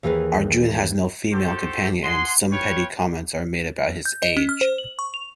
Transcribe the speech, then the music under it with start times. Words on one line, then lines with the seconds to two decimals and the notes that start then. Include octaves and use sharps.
Arjun has no female companion and some petty comments are made about his age.
0.03 D#2 E3 G#4 A#4 B4
1.32 F#4 G4 A4 C5
2.03 G#4 F#5 C6
2.51 F4 B4 C#5 G5 C#6
4.05 G6
4.23 D#5
4.37 C#4
4.49 F6
4.61 C5
4.78 F#7
4.99 C#6
5.14 F7